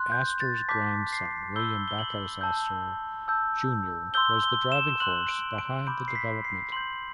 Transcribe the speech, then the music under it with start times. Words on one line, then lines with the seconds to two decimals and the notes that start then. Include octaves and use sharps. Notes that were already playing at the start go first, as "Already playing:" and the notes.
Astor's grandson, William Backhouse Astor, Junior was the driving force behind the development.
Already playing: C6 F#6
0.12 G6
0.40 A6
0.69 A5 D6 G6 B6
1.13 C7
1.56 B5 E6 G6 G7
1.88 G7
1.99 F#7
2.41 A5 E6 G6
3.28 A5 E6 G6
4.14 C6 E6 G6 G7
4.43 G7
4.72 E7
5.00 C6 F#6 F#7
5.28 D7
5.58 D7
5.87 B5 D6 G6 D7
6.08 C7
6.15 B6
6.45 C7
6.72 C6 G6 F#7